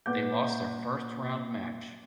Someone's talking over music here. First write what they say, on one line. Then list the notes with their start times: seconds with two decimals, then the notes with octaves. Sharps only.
They lost their first round match.
0.06 A#2 B4 F#5 D6 G6